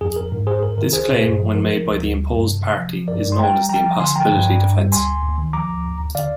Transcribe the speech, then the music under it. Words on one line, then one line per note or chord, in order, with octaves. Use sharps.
This claim when made by the imposed party is known as the impossibility defense.
F2 G#4
F2 A#4
G#2
G#2 G#4 C5
F2 A#4
D#3 A#4
C2 G#4 C5
A#2
G2
F3
F3 A#4
F3
D2
D2
G3
G2
C3
C3
F3
F3
G2 A#4 D5
G2
C6
G3 G5 A#5
G3
F3 G5 A#5
F3
D3 G#5 C6
F3 G5 A#5
G2
G2
G#2
G3
D2 G#5 C6
D2
D#2
D#3
F3 A#5 D6
D2
D#2
D#2
D3 D5 F5